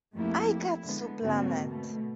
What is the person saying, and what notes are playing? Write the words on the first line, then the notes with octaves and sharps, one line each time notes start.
Aikatsu Planet!
F2 A3 A#3 E4 G4
E4
D3 G#3 B3
G#2 D3 A#3 C4 F#4
B2 A3